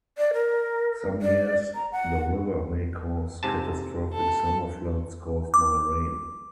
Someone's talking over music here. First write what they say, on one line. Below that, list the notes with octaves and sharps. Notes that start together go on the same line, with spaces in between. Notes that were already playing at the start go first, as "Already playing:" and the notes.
Some years the river may cause catastrophic summer floods caused by rain.
D5
A#4
D5
A#5
F#5
G#2 C3 A5
A4
D6